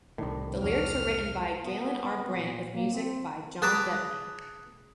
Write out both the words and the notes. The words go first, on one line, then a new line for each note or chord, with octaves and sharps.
The lyrics were written by Galen R. Brandt with music by John Debney.
C2 A2 D#3 D4
E2 F3 F#3 D4 C#5 F6
B3
B3
B3
A#2
A#3
C4
G#4 B4 A5 A#5 D6